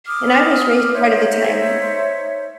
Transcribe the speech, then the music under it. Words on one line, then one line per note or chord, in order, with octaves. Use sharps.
And I was raised part of the time
D6 D#6 F6
D#4 C5 C#5 E5